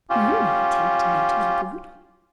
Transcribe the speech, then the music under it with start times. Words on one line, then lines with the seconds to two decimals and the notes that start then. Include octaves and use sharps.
You might tempt me to be brutal.
0.10 C#4 F4 G4